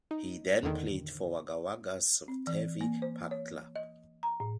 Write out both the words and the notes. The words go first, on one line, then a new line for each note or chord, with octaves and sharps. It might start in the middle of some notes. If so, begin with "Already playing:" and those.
He then played for Wagga Wagga's Turvey park club.
D#4
E2 A2 D3 D#3
C4
E3
A#3
C5
C#5
D#5
A#5
A2